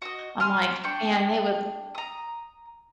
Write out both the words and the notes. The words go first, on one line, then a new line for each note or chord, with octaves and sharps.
I'm like, "Man, they would
F#4 D#5
G#5 C6 F6
D4 G5 C#6
A#5 D#6